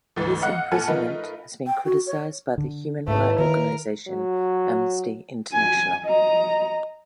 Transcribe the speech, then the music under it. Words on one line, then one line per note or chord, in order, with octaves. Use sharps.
His imprisonment has been criticized by the human right organisation Amnesty International.
D2 G#2 E3 A6
D#5 F5 F#5 F#6
A#2 A3 A4 F#5 G#5 F6
F3 A3 D#4 F4 A#4 B4
G5
F#4
C#5
D3
D#2 G#2 A3 E4 B4
D#3 A#4
F#3
G#5
D#5 A#5